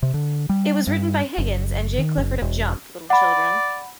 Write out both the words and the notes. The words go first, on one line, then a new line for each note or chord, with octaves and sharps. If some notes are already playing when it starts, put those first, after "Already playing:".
It was written by Higgins and Jay Clifford of Jump, Little Children.
C3
D3
G3
G2
F#1
D#3
F#1
E1
D5 F#5 B5